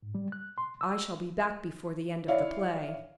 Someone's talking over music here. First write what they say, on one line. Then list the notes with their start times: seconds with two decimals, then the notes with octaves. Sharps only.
I shall be back before the end of the play.
0.03 G#2
0.15 G3
0.32 F#6
0.58 C6
0.81 E6
2.28 E4 C#5 D5 E5 F5